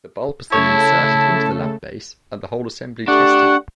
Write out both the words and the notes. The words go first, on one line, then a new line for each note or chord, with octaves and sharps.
The bulb is then inserted into the lamp base, and the whole assembly tested.
C#3 A3 E4 A4 C#5 A5
A3 D4 G4 F#5 C#6